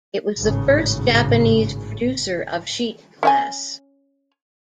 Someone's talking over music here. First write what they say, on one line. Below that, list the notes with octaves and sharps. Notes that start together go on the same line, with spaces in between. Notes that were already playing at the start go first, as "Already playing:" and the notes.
It was the first Japanese producer of sheet glass.
G#1 A2 C#3
C#4 E5 G#5